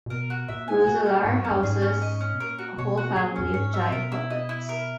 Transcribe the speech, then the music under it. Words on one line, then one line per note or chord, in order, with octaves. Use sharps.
Roeselare houses a whole family of giant puppets.
A#2
B2 A#4
F#4
A#2 E5
G#5
A#2 F#4
C#4
G#2 C#5
F#2
C#4
F#2
G#2 G#4
C#4
D#5
C#4
B2
A#2 A#4
F#4
B2 C#5
F#4
A#2 G#4
E2 C#4
F#2
G#2 C#5
E5
B2 A#4
E4
D#5
E4
A#4